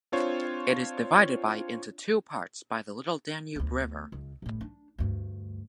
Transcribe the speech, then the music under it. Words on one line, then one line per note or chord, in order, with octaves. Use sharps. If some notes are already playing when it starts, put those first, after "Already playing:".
It is divided by into two parts by the Little Danube river.
C4 D4 F4 C5 C#5
D2 B3
C#2
G1 A2
D4
D2 G2